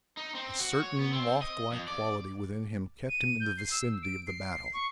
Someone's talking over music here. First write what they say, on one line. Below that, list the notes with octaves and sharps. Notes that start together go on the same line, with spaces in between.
A certain mothlike quality within him kept him in the vicinity of the battle.
D#4
C4
F#4
C#5
B3
C4
D#5
F2
D5
D#7
G6
C7
E6
D7
C7
C#6